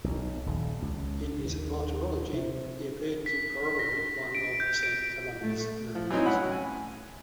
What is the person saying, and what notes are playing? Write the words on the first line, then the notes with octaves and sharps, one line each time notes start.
In his martyrology, he appeared to corroborate one of Saint Columba's miracles.
B1
D#1
C#2
D#2
C3
B6
A#6
D7
G6
D7
A3
F3
E3 F#3 C4 D#4 E4
A2 C#4 E4 F#5 B5
G#5